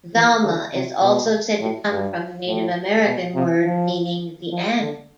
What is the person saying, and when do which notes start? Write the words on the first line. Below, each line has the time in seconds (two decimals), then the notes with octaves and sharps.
Zalma is also said to come from a Native American word meaning the end.
0.14 E3
0.43 D3
0.73 C3
1.02 B2
1.60 A2
1.90 G2
2.47 A2
3.06 B2
3.34 C3
3.64 F3
4.51 F3
4.81 D3